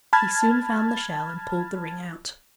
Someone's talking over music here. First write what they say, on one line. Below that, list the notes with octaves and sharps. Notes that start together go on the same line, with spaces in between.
He soon found the shell, and pulled the ring out.
A5 B5 F6 G#6 A6